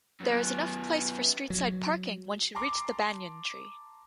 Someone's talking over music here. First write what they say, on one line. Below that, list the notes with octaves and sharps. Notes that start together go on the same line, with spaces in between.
There is enough place for street-side parking once you reach the Banyan tree.
F#2 B3
F#3
A5 A#5 C6 D6